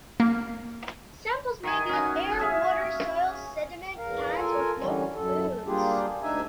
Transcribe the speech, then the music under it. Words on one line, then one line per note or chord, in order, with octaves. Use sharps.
Samples may be of air, water, soil, sediment, plants or local foods.
A#3
D#3 G#5
C#4 F#4
G#4 E5 F5
E2 A#4 F5
F4 A4 A#4 G#5
D3 E3 G3 C#4
F#2 A4
G3 A#3 D4 F4 G4 G#4
D2 D4 D#4 E5 G#5